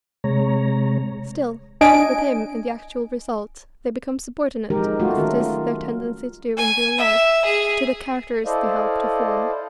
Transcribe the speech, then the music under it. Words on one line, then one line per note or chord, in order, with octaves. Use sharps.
Still, with him, in the actual result, they become subordinate, as it is their tendency to do in real life, to the characters they help to form.
C3 G#3 C#5 A#5
D4 D#5 G#5 D7
F3 G#3 D#4 G4 A#4
F#3 A3 F4 F#4
D#3 C#4 A#4
F4
G#5
E5
G#4
E4 A4 C5 D5 D#5 F5